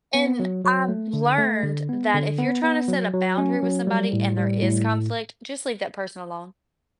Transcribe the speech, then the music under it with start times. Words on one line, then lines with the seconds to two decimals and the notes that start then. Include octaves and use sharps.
and I've learned that if you're trying to set a boundary with somebody and there is conflict, just leave that person alone.
0.14 B3
0.40 F#3
0.64 F#3
0.89 A3
1.13 D3
1.38 A3
1.63 D3
1.89 B3
2.14 D3
2.38 B3
2.63 B3
2.88 F#3
3.13 F#3
3.38 C#4
3.63 F#3
3.87 G3
4.13 A2
4.37 G3
4.62 A2